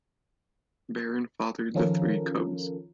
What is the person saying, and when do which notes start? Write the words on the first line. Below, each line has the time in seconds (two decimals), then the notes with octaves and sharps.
Baron fathered the three cubs.
1.75 D#3 F3 C#4 F4 A4 A#4